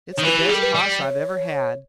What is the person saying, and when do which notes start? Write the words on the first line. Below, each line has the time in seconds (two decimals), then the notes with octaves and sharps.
It's the best hoss I've ever had.'
0.13 C#5
0.19 D#3
0.24 E3 B4
0.39 G4
0.47 G3 G#4
0.54 A#4
0.62 B4
0.75 G3
1.01 C#5